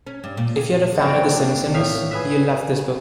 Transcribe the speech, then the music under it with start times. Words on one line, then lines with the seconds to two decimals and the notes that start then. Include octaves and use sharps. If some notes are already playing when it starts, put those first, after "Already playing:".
If you're a fan of "The Simpsons", you'll love this book.
0.07 C#4
0.24 G2
0.37 A#2
0.56 G#4
1.01 A#3 C4 F#4 D5
1.33 D4
1.74 A2 E5 F5
2.11 G#4 B4 E5